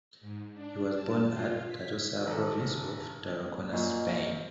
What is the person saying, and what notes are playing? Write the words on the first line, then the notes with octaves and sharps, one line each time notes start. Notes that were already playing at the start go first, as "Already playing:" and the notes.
He was born at Tortosa, province of Tarragona, Spain.
G#2
D4
A5
F4
B6
G#1 A4
F#2 A#2 D#5